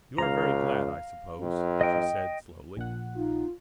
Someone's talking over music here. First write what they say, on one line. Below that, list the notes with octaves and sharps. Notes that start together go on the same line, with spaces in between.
"You are very glad, I suppose," she said slowly.
C#2 F5 A#5
F2
D#5 G5
A#1 A#2 F#5
D#4 F4